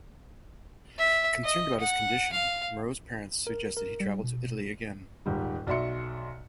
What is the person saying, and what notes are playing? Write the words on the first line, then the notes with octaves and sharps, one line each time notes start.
Concerned about his condition, Moreau's parents suggested he travel to Italy again.
E5
D#5
F#5
F5
A#4
A#4
G3
B2
D#1 G#2 G3
B1 F#4 D5 E5 C6 C#7